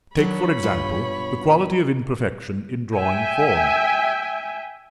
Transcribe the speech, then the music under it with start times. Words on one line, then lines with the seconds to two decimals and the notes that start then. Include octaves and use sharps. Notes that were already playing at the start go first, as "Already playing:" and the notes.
Take for example the quality of imperfection in drawing form.
0.17 D#3 F#3 D4 C#5 B5
0.63 G2 B2 F4
2.95 E5 G5 G#5